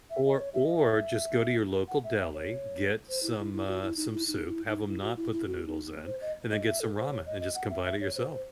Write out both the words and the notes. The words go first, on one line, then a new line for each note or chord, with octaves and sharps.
Or or just go to your local deli, get some, uh some soup, have ‘em not put the noodles in, and then get some ramen, and just combine it yourself.
E5
D#5
C#5
E5
D#5
E5
F#5
E5
E5
C#5
C5
E4
E4
E4
F#4
E4
D#4
E4
D#4
E4
D#4
E4
F#4
E4
E4
F#4
D#4
C5
D#5
D#5
E5
A4
C5
C#5
D#5
D#5
F#5
E5
E5
C#5
C5
C5